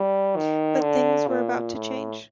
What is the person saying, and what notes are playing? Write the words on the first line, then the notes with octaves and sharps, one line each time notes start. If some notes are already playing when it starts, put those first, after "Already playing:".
But things were about to change.
Already playing: G3
D#3
D3
A#2
A2